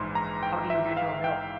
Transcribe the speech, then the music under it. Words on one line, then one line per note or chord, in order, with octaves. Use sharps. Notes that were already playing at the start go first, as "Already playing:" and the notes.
How do you get your milk?
Already playing: A#1 G#2 E3 C6
A#5
G5
E5
F5
G5